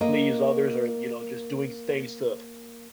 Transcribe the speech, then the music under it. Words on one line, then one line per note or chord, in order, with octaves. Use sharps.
please others, or, you know, just doing s things to
A#3 A#4 D#5